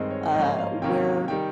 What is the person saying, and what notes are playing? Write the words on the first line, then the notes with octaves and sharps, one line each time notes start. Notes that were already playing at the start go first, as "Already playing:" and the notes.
uh, where
Already playing: G2 D#3 G#3 C4 D#5
C#5
G#2 F3 A#3 C#4 D#5
F5
C3 D#3 A#3 C#4 G5
D#3 G3 G5